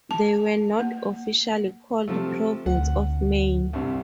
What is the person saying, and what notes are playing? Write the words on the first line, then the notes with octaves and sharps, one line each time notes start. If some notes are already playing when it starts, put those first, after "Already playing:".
They were not officially called Province of Maine.
A5
A#3
C3 F3 A3
D2 F#5
C2 G2 C3